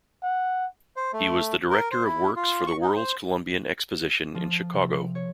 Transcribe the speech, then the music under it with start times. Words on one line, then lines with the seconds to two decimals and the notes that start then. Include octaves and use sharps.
He was the Director of Works for the World's Columbian Exposition in Chicago.
0.23 F#5
0.96 C5
1.13 A3
1.70 A#4
1.91 C5
2.04 E4
2.36 F4
2.67 C#6
2.82 D#4
2.96 C5
4.35 F3
4.73 C3
5.15 C#5